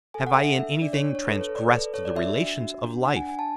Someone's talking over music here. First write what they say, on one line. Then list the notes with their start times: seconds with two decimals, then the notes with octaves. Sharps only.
Have I in anything transgressed the relations of life?
0.14 A4 G#5
0.27 F#5
0.37 A4 E5
0.59 D4 E5
0.82 D4 D5
0.93 C#5
1.05 D4
1.15 C#5
1.27 A4 B4
1.41 C#5
1.49 A4
1.56 D5
1.71 A4 B4
1.94 A4 C#5
2.05 D5
2.15 F#4 E5
2.38 D4
2.61 F#4
2.84 D4
3.05 D4 F#5
3.16 G#5
3.27 D4 G#5
3.39 A5